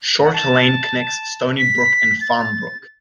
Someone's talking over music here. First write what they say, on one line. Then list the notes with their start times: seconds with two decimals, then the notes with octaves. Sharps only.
Short Lane connects Stoneybrook and Farmbrook.
0.23 F#5
0.33 A5
1.58 B6
2.21 A6